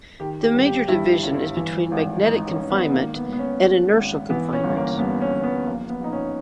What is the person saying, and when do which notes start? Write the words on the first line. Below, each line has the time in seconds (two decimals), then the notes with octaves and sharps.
The major division is between magnetic confinement and inertial confinement.
0.20 D#3 G4
0.43 G4
0.54 G1
0.66 G4
0.88 G2 E4
1.23 G1
1.57 E3
1.91 G#1
2.25 G#2 D#4
2.47 C#4
2.59 G#1
2.70 B3
2.93 D#3 A#3
3.16 B3
3.28 G#1
3.33 B3
3.39 C#4
3.62 G#2
3.96 G#1
4.30 E3 B3
4.53 C#4
4.64 G1
4.76 A#3
4.98 G2 B3
5.21 C#4
5.33 G1
5.43 B3
5.66 A#1 A#3
5.90 B3
6.00 A#1 D#4
6.12 C#4